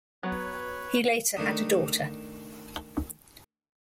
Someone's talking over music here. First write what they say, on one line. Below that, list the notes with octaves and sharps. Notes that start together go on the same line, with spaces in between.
He later had a daughter.
F#3 B3 B4 C#5
D#3 A3 D4 D#6